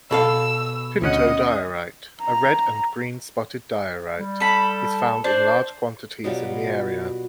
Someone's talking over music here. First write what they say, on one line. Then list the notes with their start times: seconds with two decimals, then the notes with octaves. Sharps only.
Pinto diorite, a red-and-green spotted diorite, is found in large quantities in the area.
0.11 B2 A4 F5 E6
1.02 D2 C#4 D#5 F#5
2.21 A#5
4.18 G3
4.40 A4 B5
5.24 D4 C5
6.24 B2 F#3 G3 F4